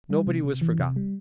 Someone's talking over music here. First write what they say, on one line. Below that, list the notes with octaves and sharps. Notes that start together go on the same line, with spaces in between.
Nobody was forgotten.
G3
C3
C3
E3
C3
G3